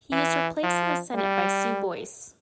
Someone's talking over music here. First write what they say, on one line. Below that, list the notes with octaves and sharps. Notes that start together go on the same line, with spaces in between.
He was replaced in the Senate by Sue Boyce.
E3
F3
G3